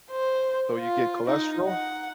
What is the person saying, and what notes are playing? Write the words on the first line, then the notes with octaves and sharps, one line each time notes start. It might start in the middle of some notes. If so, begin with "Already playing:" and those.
So, you get cholesterol
C5
F4
D#4
F#5